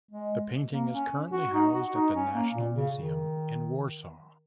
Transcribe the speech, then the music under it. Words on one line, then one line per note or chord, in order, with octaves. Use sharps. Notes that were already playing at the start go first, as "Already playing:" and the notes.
The painting is currently housed at the National Museum in Warsaw.
G#3
A#3
C#4
F#4
D#4
F#4
D#4
C#4
A#3
A#2
C#3
D#3